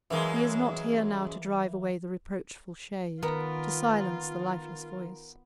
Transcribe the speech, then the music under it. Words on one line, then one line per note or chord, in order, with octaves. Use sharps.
He is not here now to drive away the reproachful shade--to silence the lifeless voice!
F#2 E3 G#3 A#3
D#3 B3 F4 A#4